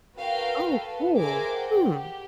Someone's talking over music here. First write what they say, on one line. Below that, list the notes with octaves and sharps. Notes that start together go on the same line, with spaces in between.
Oh, cool. Hmm.
F#4 A#4 B4 F5 G5
A4 B4
G#4 A#4 C5 E5 G#5 D6
F#5 G5
G4